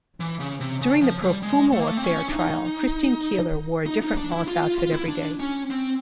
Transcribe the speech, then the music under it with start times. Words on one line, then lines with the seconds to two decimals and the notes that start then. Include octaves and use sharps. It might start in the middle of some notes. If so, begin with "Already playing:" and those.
During the Profumo Affair trial, Christine Keeler wore a different Wallis outfit every day.
0.20 E3
0.40 C#3
0.61 C3
0.81 C#3
1.01 F3
1.22 G3
1.43 G#3
1.73 A3
1.80 A#3
1.87 A3
1.97 C4
2.04 C#4
2.29 D4
2.34 D#4
3.86 D#4
4.02 D#4
4.17 D4
4.32 E4
4.48 F4
4.63 F4
4.78 F4
4.93 E4
5.08 D4
5.40 C#4
5.70 C4